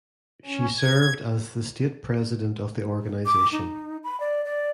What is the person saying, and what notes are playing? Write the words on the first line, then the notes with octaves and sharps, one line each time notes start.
She served as the state president of the organization.
C#4
G#6
D6
D#4
B5
D5
D5